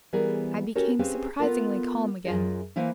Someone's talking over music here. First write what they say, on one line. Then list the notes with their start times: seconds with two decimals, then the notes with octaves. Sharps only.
I became surprisingly calm again.
0.13 E3 G3 B3 G#4 A#4
0.76 C#4 F#4 G4 A4 A#4 C#5
0.99 C4 C#4 G4 G#4 B4 F5
1.39 B3 F4 A4 A#4
2.25 F#2 F4 G#4 D#5
2.76 E3 A#3 E4 C5 F5 G#5